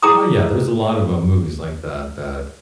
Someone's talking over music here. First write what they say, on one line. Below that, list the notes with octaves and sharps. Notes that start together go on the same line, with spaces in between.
Ah, yeah. There's a lot of, uh, movies like that that
E4 G#4 A5 A#5 D6 D#6